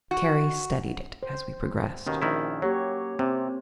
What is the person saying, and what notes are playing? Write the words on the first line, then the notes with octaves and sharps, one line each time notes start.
Terry studied it as we progressed.
F#4
C5
D#2 B2 D#3 C#4
A#1 D#3 E4
F#3 A#3 G4 C#5
C3 C4